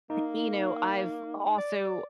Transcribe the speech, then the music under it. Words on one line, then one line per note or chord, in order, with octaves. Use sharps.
eh you know, I've also
A#3 D#4
D5